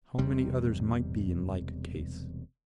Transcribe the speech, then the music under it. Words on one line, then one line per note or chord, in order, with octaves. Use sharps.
How many others might be in like case!
E1 E2 C3 G3